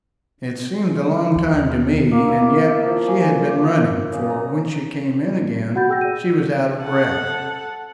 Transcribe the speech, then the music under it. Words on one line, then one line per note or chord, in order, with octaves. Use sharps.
It seemed a long time to me, and yet she had been running, for when she came in again she was out of breath.
D#2
A#3
E4
D6
E5
F3
C#4
C5
D6
C#3
A#5
F#4 F#5 B5 G6 A6
G#4 G5 E6 G6 A#6
D5 D#7
A4 F#5